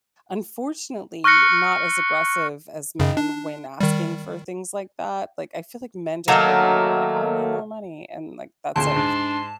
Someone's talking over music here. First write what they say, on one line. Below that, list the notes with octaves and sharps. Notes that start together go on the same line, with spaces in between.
unfortunately not as aggressive as men when asking for things like that, like, I feel, like, men just go in and are like, "I need more money," and, like, that's it,
C#6 F6 F#6 A#6 C#7
F#2 C#3
D4
D#3 G3
D#3 F#3 A3 A#3
D2 A#2 C#3 A5 C6
G#2 D4